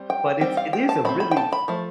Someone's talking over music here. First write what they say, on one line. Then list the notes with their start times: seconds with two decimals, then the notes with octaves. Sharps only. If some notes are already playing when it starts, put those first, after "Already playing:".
But it's it is a really
Already playing: G3 C4
0.10 G5
0.41 G3 C4 G5
0.57 F5
0.73 G5
0.89 A5
1.05 F3 A3 C4 B5
1.20 B5
1.31 G5
1.37 A5
1.52 B5
1.68 F3 A3